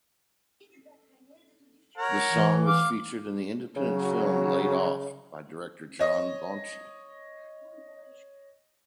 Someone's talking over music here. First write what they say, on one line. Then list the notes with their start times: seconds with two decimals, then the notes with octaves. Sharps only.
The song was featured in the independent film "Laid Off" by director John Launchi.
1.98 A#4 C#5 F#5
2.33 E3
2.66 F5 D6
3.77 C#3 F#3
5.99 C#5 D#5